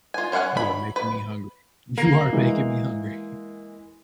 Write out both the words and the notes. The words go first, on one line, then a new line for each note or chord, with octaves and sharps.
You are making me hungry. You are making me hungry.
F4 G#5
C#4 C5 F5 F#5 G#5
F#3 B5
B4
A#3
E3 G#3